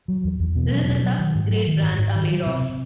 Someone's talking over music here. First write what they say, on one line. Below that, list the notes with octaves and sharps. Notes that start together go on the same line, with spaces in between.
This is the stuff great brands are made of.
F#3
E2
E2
B2
F#3
B2
F#3
D#3
G#2
F#3
D#3
G#2
G#2
D#3
F#3
C3
C3